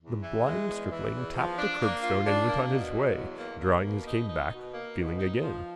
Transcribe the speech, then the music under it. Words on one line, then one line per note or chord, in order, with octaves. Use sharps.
The blind stripling tapped the curbstone and went on his way, drawing his cane back, feeling again.
E2
E3
G#3
E2
E3
E2
F3
D4
A#3
F4
D4
A#3
B2
F#3
E2
A#3
A#3
B2
D#4
D#4
B2
A#3
B2
D#4
F3